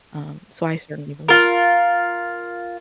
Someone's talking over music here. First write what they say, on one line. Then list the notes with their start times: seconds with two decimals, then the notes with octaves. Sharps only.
Um, so I certainly believe
1.29 F4 A#4